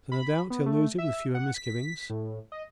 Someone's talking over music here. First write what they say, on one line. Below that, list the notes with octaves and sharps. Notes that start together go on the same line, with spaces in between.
So no doubt he'll lose it with fewer misgivings.
B5
B3
A3
E5
F#5
B6
A2
D#5